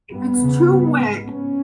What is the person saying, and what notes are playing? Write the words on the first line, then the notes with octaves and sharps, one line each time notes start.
if it's too wet,
G2 B3
E2 C#3
G2
G#2
G#2 C#4